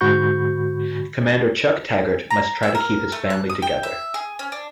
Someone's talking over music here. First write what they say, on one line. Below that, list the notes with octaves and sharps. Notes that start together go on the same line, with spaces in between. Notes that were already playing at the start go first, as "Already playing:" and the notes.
Commander Chuck Taggart must try to keep his family together.
G#2 D3 F#4 B5 C#6 G6
A#5
E5
A#4
A3
F#6
D#6
G5
E5
G#4
C#4
D4